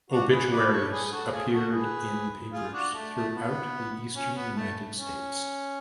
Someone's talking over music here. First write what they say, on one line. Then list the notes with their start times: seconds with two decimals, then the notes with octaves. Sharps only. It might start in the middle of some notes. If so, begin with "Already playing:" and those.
Obituaries appeared in papers throughout the eastern United States.
0.10 D4 F#4
0.31 G#4 B4
0.50 B4 D5
0.70 A4 C#5
0.91 G#4 B4
1.06 G#4
1.12 F#4 A4
1.32 F4 G#4
1.52 F#4 A4
1.71 G#4 B4
2.52 F4 G#4
2.73 D4 F#4
2.94 A3
3.14 A3
3.34 B3
4.15 C#4
4.35 B3
4.56 A3
4.96 C#4